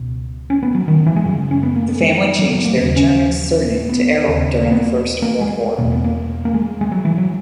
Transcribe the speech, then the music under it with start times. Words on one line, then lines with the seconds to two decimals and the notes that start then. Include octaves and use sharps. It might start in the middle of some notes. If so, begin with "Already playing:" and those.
The family changed their German surname to Erroll during the First World War.
Already playing: C#2 B2
0.50 C#4
0.63 B3
0.75 F#3
0.88 D#3
1.06 E3
1.16 G#3
1.25 F#2 C#3 F#3
1.51 C#4
1.63 B3
1.76 A#3
1.89 B3
2.01 G#3
2.39 F#3
2.51 F#3
2.64 A#3
2.76 C#3 B3
2.80 D#2
2.96 C#4
3.89 B3
4.27 D#2 C#3
4.66 A#3
4.72 B3
4.80 A#3
5.22 A#3
5.41 G#3
5.78 E2 B2 A#3
5.92 B3
6.04 A#3
6.45 A#3
6.54 G#3
6.81 G#3
6.92 F#3
7.05 E3
7.18 F#3